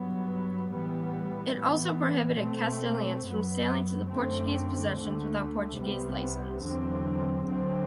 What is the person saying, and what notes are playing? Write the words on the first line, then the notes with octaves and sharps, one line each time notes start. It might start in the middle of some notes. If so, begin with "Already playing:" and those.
It also prohibited Castilians from sailing to the Portuguese possessions without Portuguese licence.
Already playing: G2 F#3 B3
A2 E3 G3 B3
A2 E3 B3
B2 A3 C4
F#2 F#3 B3
F#2 D3 A3 C4
D2 D3 A3
C2 C3 G3 B3
E2 D3 F#3 C4
D2 D3 F#3 C4